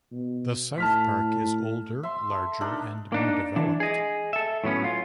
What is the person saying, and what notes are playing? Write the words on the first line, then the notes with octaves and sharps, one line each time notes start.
The south park is older, larger, and more developed.
B2
A2 A5 F6 B6
E5 C6
A4
D4 D#4 A4 A#4
A#3 D4 D#4
E3 D4
G#4 D#5
A4 E5
A2 F#3 B3 C#4
F4